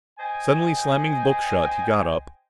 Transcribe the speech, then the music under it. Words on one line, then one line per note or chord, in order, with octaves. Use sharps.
Suddenly slamming the book shut, he got up.
C5 D#5 G5 G#5